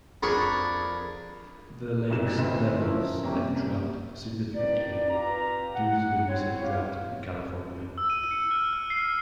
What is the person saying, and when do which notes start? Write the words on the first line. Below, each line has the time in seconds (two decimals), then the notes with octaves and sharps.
The Lakes levels have dropped significantly due to the recent drought in California.
0.23 F2 D4 G#4 A#4 B5 C#6
2.10 C2 G2 B2 E7
2.38 D2 C4 D#4 B4 C5 E7
2.81 F3 C#4 E4 A#4
3.23 C3 G3 A#3 C#4
4.55 F#2 A2 D#4 B4 D5
5.10 C4 F4 G4 B4 A#5
5.75 F#5
6.28 C4 E4 C#5
6.62 D#2 F4 G4 C#5 F5
7.98 E6
8.10 D#7
8.31 C#7
8.51 F6
8.73 F6
8.90 C7